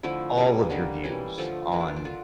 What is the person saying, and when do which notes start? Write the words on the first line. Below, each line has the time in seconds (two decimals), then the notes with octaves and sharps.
all of your views on
0.03 D3 F3 A3 E4
0.37 C#3 G3 A#3
0.70 D3 G3 A#3 D4
1.04 E3 G3 A#3 C#4
1.38 D3 F3 A3
1.72 E3 A#3 D4
1.80 E4
1.88 F4
1.96 D4
2.05 D3 F4